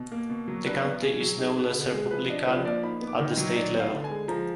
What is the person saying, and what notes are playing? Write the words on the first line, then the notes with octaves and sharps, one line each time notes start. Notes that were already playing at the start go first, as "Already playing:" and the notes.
The county is no less Republican at the state level.
Already playing: B2
A#3
B2
F#3
D4 B4
B3
B2 G#4
F#3
D#4 G#4
B3
D3
G#3
F3 B4
D4 D#5
F3 B4
A#3 D5
D#4 B5
B3
D6
D#3
D#5
F#3
D#4 D5
B3
F5
D3
G#5
G#3
F3 A#5